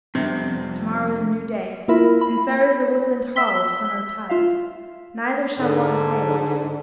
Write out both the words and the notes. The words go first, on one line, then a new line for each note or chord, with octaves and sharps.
To-morrow is a new day, and fair is the woodland-hall of summer-tide; neither shall water fail us.
F2 C3 G3 B3 C4 D4
A#3 E4 F4 A#4 E5 B5
B5
E5 E6 B6 G7
F4 E5 F5
G#2 D3